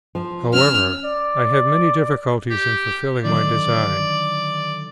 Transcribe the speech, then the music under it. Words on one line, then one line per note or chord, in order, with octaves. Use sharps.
However, I have many difficulties in fulfilling my design.
F3
C#4 E6 F6
D5
G4
D3 D#3 F#3 D5